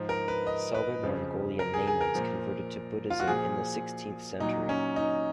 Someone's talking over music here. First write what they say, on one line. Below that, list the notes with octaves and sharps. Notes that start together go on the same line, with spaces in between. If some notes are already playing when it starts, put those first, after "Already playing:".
Southern Mongolian Naimans converted to Buddhism in the sixteenth century.
Already playing: G#2 F3
A#4
B4
D#5
B4
F2 C#3 F3
A#4
G#4
G#4
A#4
A#2 F3
F4
F#4
A#2 F3 G#4
A#2 F#3 D#4
C#4
D#4